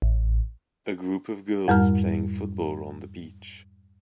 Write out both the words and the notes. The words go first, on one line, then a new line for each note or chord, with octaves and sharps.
A group of girls playing football on the beach.
A1
F2 G#2 G3 A#4 A#5 F6